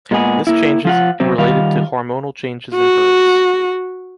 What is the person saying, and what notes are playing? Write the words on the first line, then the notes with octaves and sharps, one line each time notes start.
This changes related to hormonal changes in birds.
A#2 G#3 B3 G#4
A#3 E4
F3 F4 F#5
C3 F#3 C4
D#3 G3 F4 F5
F#4